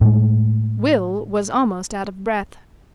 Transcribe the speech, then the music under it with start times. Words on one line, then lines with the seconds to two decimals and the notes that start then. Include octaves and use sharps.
Will was almost out of breath.
0.01 A2 G#3